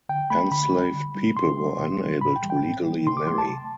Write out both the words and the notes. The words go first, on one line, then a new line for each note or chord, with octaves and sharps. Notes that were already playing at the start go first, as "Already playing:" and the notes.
Enslaved people were unable to legally marry.
D3 G5
A3 B5
D3 B5
G3
D3
G3
B2 C6
G3
B2
G3
A2 B5
G5
E3 G3
G5
A2
E3 G3
C3 C6
D6
F#3 A3 C6
A5
C3